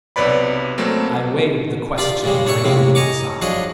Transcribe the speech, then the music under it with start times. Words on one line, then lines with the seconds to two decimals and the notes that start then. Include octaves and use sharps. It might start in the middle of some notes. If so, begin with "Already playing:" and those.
I waived the question gravely aside.
0.16 B1 C3 B4 C#5 D5 B5
0.78 F#3 A3 A#3 C4
1.98 F4 G4 D5
2.24 A#2 C#3 G3 G#3
2.46 D4 C#5 E5 C#6
2.64 A2 C3 G#3 A#3
2.95 D#5 G#5 A#5 C#6 D6
3.42 F3 F#3 D4 G#4 D#5